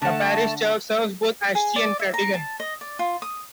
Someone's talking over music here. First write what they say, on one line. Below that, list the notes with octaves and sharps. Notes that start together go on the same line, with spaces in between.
The parish church serves both Aeschi and Krattigen.
D3 A3 F#5 A5
G#4
D5
E5
A#5
A5
D#5
D5
F4
D#6